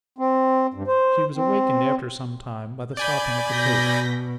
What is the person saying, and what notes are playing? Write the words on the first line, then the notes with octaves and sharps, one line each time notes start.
She was awakened, after some time, by the stopping of the coach.
C4
G2
C5
C4
D5 G#5 B5 G6
B2 G6 A#6 B6